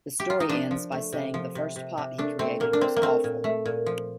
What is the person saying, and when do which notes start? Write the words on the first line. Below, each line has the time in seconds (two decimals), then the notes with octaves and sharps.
The story ends by saying the first pot he created was 'awful.
0.20 G4
0.30 F4
0.40 D#4
0.49 F3 D4
0.71 F3
0.92 A3
1.13 C3
1.34 F3
1.55 C3
1.76 C3
1.98 C3
2.18 A3 D4
2.39 A3 C4
2.60 A#2 A#3
2.73 D4
2.81 A#2 C4
2.96 A#3
3.02 A3 C4
3.24 A#2
3.44 A3
3.66 A#2
3.86 F3